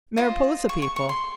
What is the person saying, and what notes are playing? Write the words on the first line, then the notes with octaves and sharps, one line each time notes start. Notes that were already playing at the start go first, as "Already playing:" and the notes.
Mariposa people!
F4 C5 D#5
C#6
C#6
C#6
C6